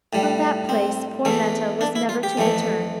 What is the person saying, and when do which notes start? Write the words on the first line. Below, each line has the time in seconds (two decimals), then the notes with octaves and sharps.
From that place poor Meta was never to return.
0.13 A2 G3
0.69 C4
1.25 E2 E3 A3
1.81 D4
1.95 E4
2.09 F4
2.23 G4
2.37 F2 E3 A3